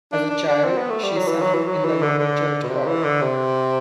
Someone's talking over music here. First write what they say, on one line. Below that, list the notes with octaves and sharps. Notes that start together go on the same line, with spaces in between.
As a child, she sang in the local church choir.
D4
D4
D4
C4
B3
A3
G3
F#3
E3
F#3
E3
F#3
E3
D3
D3
B2
C3
E3
D3
C3